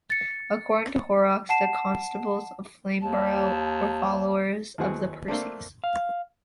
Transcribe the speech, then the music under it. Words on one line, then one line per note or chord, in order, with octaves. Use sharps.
According to Horrox, the Constables of Flamborough were followers of the Percys.
A6 C#7
F#5 A5 C7 E7
D#2 A5
D#2 E3 F#3 C4 G#4 F#5
A3 A#3 C4 D4
F5